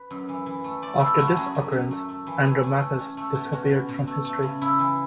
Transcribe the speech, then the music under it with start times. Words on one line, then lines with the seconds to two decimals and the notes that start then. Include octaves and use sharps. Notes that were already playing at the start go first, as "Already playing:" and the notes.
After this occurrence, Andromachus disappears from history.
Already playing: B4
0.11 F#2
0.29 E3
0.46 E3
0.64 A3
0.82 A3 D5
1.00 A3 E4
1.18 A3 F#4
1.36 F#2 G#4
1.55 F#2
1.72 F#2
1.91 A3
2.09 A3
2.27 E3
2.45 A3 G#4
2.63 A3
2.80 A3
2.99 C#4
3.17 A3
3.35 B2
3.52 C#4 F#4
3.71 B2
3.89 B2
4.07 A3
4.25 A3
4.43 C#3
4.61 C#3 E4
4.79 E3